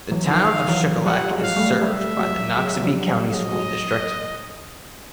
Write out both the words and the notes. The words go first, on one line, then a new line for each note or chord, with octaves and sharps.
The Town of Shuqualak is served by the Noxubee County School District.
E3 F#3
D#3 F3 F5
E3 F#3
F3 G3 F#5
F#3 G#3
F5
G3 A3
G3 A3 E5
F#3 G#3
F#3 G#3
F#3
F3 G3
F#3
F3 G3
F#3 G#3 D#5
F#3 G#3